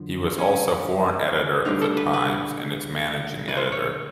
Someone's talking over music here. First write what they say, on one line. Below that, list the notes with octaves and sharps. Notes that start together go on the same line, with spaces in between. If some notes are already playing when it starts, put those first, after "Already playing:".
He was also foreign editor of the Times, and its managing editor.
Already playing: F#2 D3 F3
C#4
D2 D3 G3 D#4
A4
B4
B4
B4
C5
C#5